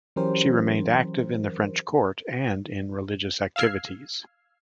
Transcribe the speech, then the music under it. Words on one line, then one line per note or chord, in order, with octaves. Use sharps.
She remained active in the French court and in religious activities.
E3 F#3 C#4 G4 A#4 C5
F5 E6 F6 G#6 C7